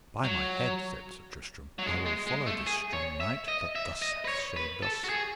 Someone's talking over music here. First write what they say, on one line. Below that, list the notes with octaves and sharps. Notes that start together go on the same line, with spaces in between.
By my head, said Sir Tristram, I will follow this strong knight that thus hath shamed us.
F#3
F#3
G#3
G#3
G#3
A3
G#4
C#5
E5
D#5
E5
D#5
B4
C#5
B4
A4
F#4
G#4